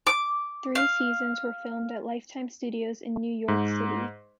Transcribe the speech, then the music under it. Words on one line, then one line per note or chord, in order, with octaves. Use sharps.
Three seasons were filmed at Lifetime Studios in New York City.
D6
F5
G#2